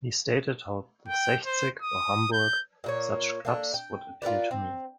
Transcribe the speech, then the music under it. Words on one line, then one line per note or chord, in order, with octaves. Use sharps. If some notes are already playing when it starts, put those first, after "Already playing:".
He stated how the Sechzig or Hamburg - such clubs would appeal to me.
G5
C5
D#6
G6
A#2 A#3 C#5
A#3 D4 A4
G5
F4 A#4 B4 D5
C4